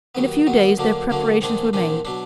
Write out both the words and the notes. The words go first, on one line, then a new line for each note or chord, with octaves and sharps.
In a few days their preparations were made.
D#2 D#3 F#3 B3
D#2 D#3 F#3 B3
D2 D3 F#3 A#3 D4
D2 D3 F#3 A#3 D4
A#1 G#2 D#3 G#3 D4
A#1 G#2 D#3 G#3 D4
B2 F#3 D4